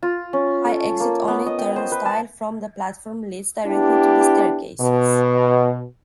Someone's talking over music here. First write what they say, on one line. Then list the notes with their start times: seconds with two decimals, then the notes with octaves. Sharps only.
A high exit-only turnstile from the platform leads directly to the staircases.
0.03 F4
0.33 C#4
0.65 A4
1.00 A#3
1.28 B3
1.46 D#5
1.59 G5
1.76 C5
1.92 B4
2.05 A5
3.67 B3 D4 E4 G4
4.81 B2